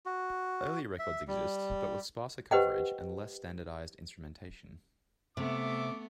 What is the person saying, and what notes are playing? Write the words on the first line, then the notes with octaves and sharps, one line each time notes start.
Earlier records exist, but with sparser coverage and less standardized instrumentation.
F#4
E5
G3
G4 B4 C5 D#5 F#5 G5
C3 A3 B3 E5 D6